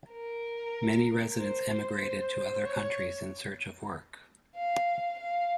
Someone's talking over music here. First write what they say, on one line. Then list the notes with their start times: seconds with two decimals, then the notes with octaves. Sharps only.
Many residents emigrated to other countries in search of work.
0.11 A#4
1.38 C5
2.02 C5
2.65 C#5
4.56 F5
5.19 F5